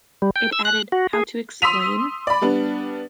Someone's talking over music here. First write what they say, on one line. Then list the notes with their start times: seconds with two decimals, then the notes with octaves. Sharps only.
It added How to Explain?
0.22 G3
0.36 G5
0.53 E6
0.65 F#6
0.92 F#4
1.13 G#4
1.62 C6 D#6 E6 B6 D#7 F7
2.27 D5 B5
2.42 G3 B3 D4